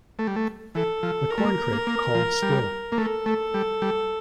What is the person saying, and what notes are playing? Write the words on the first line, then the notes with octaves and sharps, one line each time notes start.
The corncrake called still.
A3
G3
A3
E3 A4
F3
A#4
A3
A#3
A#3
A#3
F3
G3
A#3
A3 A4
A3
G3
G3